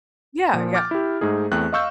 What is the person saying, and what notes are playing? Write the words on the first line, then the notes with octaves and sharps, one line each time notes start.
Yeah, yeah.
A#2 F3
D6 F6 G6 A6
E4 G4
G#2 A3 D#4 G#4
E2 A3 C4 G5 F#6
D#5 F5 C#6 E6 G6